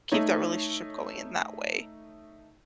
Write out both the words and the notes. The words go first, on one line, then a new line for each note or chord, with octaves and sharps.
keep the relationship going in that way,
A3 D#4 C#5